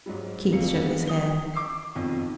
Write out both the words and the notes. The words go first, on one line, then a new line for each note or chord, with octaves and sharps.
Keith shook his head.
G#2 F#3 G3
E1 F2 F5 C#7
D3 G3 G#3 B3 D4
D#6 G7
C#6 D6 E6 C7
B1 F2 D#3